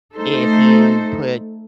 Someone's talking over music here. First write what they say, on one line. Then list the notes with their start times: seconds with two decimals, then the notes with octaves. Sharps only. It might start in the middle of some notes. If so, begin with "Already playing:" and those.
if you put
0.14 A3 D#4 A4 C5